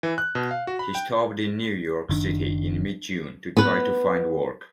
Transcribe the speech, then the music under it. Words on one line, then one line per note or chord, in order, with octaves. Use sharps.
He stopped in New York City in mid-June, to try to find work.
E3
F#6
B2
F5
F#4
B5
G5
F#1 D#3 D4
B3 B4